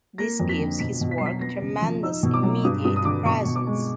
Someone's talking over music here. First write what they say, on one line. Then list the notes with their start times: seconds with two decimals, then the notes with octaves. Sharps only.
This gives his work tremendous immediate presence.
0.18 A#3 A#6
0.40 F2
0.49 B6
0.59 D3
0.79 B2 B6
1.01 B2
1.11 B6
1.18 F#3 C7
1.26 B6
1.41 B3 A#6
1.62 C#3
1.82 F3
2.03 D#4 E6
2.23 B2
2.34 D6
2.43 F#3
2.64 G2 D#6
2.84 G2 D#6
2.96 D#6
3.05 D3 D6
3.25 B2 C#6
3.45 B2
3.56 D6
3.67 G#3